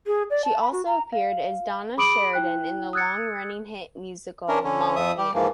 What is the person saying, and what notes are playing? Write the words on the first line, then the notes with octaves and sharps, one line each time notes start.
She also appeared as Donna Sheridan in the long-running hit musical, "Mamma Mia!".
G#4
D5
A5
B5
F#4
A#5
F5
G#4 B5 D6 D#6 D7 F#7
E4 G5 F#6
D#6 E6 F#6 G#6 A6 C#7
C#4 D4 A#4
D3 C#4
F2 F3 E5 D#6
G3 G4
G#2 E3 F3 A#3